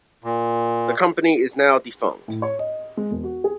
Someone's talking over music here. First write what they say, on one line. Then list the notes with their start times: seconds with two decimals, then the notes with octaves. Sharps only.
The company is now defunct.
0.24 A#2
2.28 A2
2.42 C#5
2.59 D#5
2.97 G#3
3.11 E1
3.24 F#4
3.44 G#4